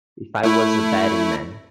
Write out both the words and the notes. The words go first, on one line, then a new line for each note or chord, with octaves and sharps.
If I was a betting man.
A3 E4